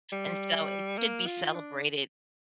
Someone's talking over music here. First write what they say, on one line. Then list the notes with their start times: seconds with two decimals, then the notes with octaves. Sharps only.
And so it should be celebrated
0.12 G3
0.98 A#3
1.27 F4
1.55 D4